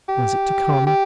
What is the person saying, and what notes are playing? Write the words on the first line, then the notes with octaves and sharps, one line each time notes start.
Was it to come?
G4
G4